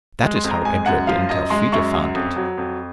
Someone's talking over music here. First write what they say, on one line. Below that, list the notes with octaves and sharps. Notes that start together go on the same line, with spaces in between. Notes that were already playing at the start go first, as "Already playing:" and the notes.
That is how Edred and Elfrida found it.
G#3
C6
F2
A#5
G#3 G#5
F#2 F#5
F3 F5
F#2 D#5
G#3 C6
F#2 C#6
F#3
F2
F#3
F2